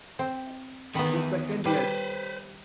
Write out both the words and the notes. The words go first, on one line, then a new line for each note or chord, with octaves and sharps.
The second, Yes!
C4
E2 D#3 B3 B5
G3 B4 C5